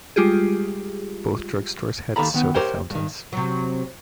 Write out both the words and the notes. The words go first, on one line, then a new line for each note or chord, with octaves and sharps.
Both drugstores had soda fountains.
G3 G#3 F4 G4 G#4
D#2 D#3 A4 A#5 B5
D#3 B3
G4 A#4 C5 C#5 G5
G2 D#3
C3 F#3